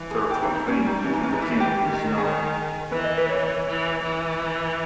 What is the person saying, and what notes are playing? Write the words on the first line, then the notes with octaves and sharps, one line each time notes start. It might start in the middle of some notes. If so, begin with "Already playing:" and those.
A letter of complaint to the king is known.
Already playing: E3
G#4
G4
D#4
D#4
G3 C#4
D#4
E3 C#4
D#4
C#4
D#4
E4
G4
D#3
G#4
E3 B4
D#5
B4
C#5
C#5
E3
E3